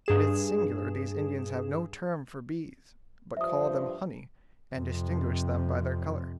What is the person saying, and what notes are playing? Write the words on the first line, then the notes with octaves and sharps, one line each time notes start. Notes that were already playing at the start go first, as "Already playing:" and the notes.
It is singular these Indians have no term for bees, but call them honey, and distinguish them by their color.
G2 G#4 E7
G2 F3 C5 E5 D#6
F2 C3